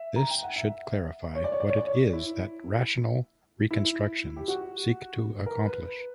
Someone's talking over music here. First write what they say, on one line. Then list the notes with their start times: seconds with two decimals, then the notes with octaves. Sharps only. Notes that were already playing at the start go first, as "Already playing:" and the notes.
This should clarify what it is that rational reconstructions seek to accomplish.
Already playing: E5
0.16 A#5
0.30 G5
0.43 F#5
0.56 E5
1.35 C#5
1.44 D5
1.52 C#5
1.60 D5
1.69 C#5
1.77 D5
1.87 C#5
2.13 E4
3.71 E4
4.36 G4
4.48 F#4
5.46 A#4
5.65 B4